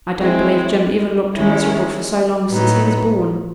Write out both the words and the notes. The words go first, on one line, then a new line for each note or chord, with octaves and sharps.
I don't believe Jim ever looked miserable for so long since he was born.
F3 G#3 C4 E4
D#3 G#3 C#4 E4
A2 F#3 B3 D#4